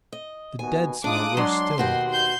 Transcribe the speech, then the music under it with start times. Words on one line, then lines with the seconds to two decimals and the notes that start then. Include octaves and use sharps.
The dead smell worse still!
0.12 D#5
0.59 D#2 B2 B3 G#5
1.04 G#3 D4 D#4 F4 D6 D#6 F#6
1.37 F#3 G#3 D4 C6
1.78 D#2 B2 F#4 G4
2.10 C6 G6